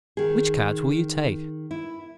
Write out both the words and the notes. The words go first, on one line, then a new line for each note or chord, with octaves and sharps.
Which cards will you take?
D#3 G#4
E4